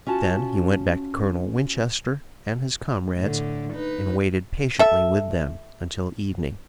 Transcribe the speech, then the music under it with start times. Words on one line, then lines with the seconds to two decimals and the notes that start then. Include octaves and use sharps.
Then he went back to Colonel Winchester and his comrades, and waited patiently with them until evening.
0.07 C#4 F4 F#4 A5
3.17 A2 D3
3.74 D#4 B4
4.79 A4 E5